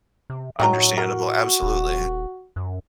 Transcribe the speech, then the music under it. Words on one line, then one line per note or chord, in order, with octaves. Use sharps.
Understandable, absolutely.
C3
A2 D#3 F#3 D4 A#5
F#4 A#4
D#1
F#2